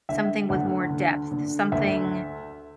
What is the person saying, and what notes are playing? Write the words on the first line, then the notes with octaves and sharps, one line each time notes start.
Something with more depth. Something
D3 E5
D2 F#5
D3
D3
D2 E5